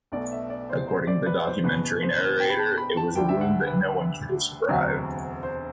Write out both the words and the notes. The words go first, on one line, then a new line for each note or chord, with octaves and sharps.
According to the documentary narrator, It was a wound no one could have survived.
B1 B2 A3 D5
E5
D5
C5
C5
D5
B4
C5
F#1 E2 B2 B4
C5
G5
B5
A5
B5
A5
D2 D3 G3 G5
E5
F#5
B4
E1 D2 C3 F#3 C4
C5